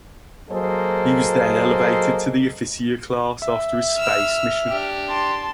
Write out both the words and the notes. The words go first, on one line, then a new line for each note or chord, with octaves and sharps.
He was then elevated to the "officier" class after his space mission.
F#3 A#3 G#4 A4 C5 D#5
E5
E6 F6
D4 G4
A5 C6